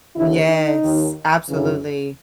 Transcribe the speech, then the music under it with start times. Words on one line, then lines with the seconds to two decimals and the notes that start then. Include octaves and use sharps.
Yes, absolutely.
0.14 D#2 D3 E4
0.48 D#4
0.82 D#2 D#3
1.48 F#2 C#3 E3